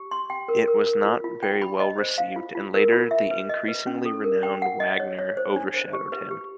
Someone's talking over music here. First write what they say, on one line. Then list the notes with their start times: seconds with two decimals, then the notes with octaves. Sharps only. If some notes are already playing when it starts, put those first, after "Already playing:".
It was not very well received, and later the increasingly renowned Wagner overshadowed him.
Already playing: G4
0.11 C6
0.30 G5
0.48 A#4
0.68 A#4
0.86 A#4
1.04 F4
1.24 F4
1.43 G5
1.62 B5
1.80 D#5
1.98 C5
2.18 F5
2.36 F4
2.55 F4
2.74 A#4
2.93 F4
3.11 E5
3.31 B4
3.49 D#5
3.68 B4
3.87 C#4
4.05 A4
4.24 A#4
4.43 G5
4.62 F#5
4.80 D#5
5.00 C#5
5.19 C#5
5.37 C5
5.56 D4
5.74 C5
5.93 G4
6.12 B4
6.31 G4